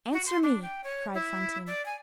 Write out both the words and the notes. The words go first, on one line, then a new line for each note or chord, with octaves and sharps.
"Answer me!" cried Fantine.
F#4
C6
D4
G5
C#5
E4
D5
G#5